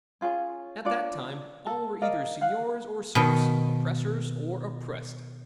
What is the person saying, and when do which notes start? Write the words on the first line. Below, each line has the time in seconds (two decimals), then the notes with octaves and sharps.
At that time, all were either seigniors or serfs, oppressors or oppressed.
0.21 C#4 F4 G#4 C#5
0.85 D4 F4 C#5 D5
1.67 A4
2.02 A#4 D5 D#5 F5
2.41 F5 F#5
3.15 B2 D#3